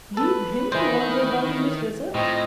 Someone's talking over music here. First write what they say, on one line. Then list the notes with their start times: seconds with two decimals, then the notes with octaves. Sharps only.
Leave him to wander about in this desert!
0.17 A4 B4
0.72 D#3 E3 C5 D5
2.14 A2 C4 F4 D#5